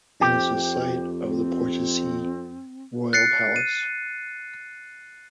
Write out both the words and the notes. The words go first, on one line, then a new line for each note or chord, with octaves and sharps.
It is the site of the Portici Royal Palace.
F2 G4 C5
C4
F#6 A6 C7 C#7
D#7